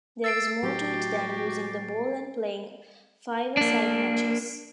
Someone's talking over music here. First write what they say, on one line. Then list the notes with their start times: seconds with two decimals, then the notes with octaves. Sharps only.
There was more to it than using the ball and playing five-a-side matches.
0.24 E6 A6 C7 D7
0.63 A2 F#3 F#4 G4
3.57 A#3 D4